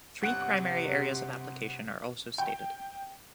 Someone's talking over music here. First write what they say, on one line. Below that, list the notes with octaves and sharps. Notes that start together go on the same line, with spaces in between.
Three primary areas of application are also stated.
G1 C3 F#5 F#6
G5